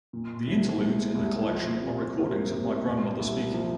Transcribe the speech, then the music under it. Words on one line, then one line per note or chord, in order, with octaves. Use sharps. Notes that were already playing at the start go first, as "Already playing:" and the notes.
The interludes in the collection are recordings of my Grandmother speaking.
A#2
C2
G#3
C2
F3
C3
A#3
C3
A#2
C2
F3